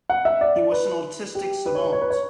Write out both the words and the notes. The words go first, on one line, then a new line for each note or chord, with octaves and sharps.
He was an autistic savant.
F#5
E5
D5
D5
B4
G4
B4
C#5
B4
C#5
B4
C#5